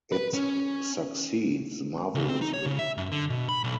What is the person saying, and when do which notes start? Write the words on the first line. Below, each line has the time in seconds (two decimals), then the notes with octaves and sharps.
It succeeds marvelously.
0.12 B4
0.34 C#4
2.15 C#2
2.29 C4
2.42 D#4
2.54 C#5
2.66 C#3
2.79 E5
2.97 F#2
3.12 D3
3.30 B2
3.49 B5
3.64 B1